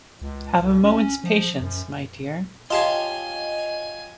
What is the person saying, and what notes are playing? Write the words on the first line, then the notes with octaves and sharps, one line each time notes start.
Have a moment's patience, my dear.
C#2
C2
C#4
F3
F#2
F4 G4 C#5 D#5 F5 G#5 A5 C6